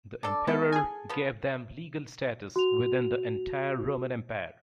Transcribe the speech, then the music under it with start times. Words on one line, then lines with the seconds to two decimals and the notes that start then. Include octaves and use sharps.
The emperor gave them legal status within the entire Roman Empire.
0.23 D4 A4 D5
0.47 G#3 B3 E4 A4
0.73 G#4 G#5
1.09 F3 B3
2.56 F#4 F7